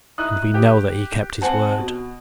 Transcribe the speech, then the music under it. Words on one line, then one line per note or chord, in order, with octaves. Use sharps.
And we know that he kept his word.
D#4 E4 D#6 F#6
G4
C4 F#5 G#5 A5
B2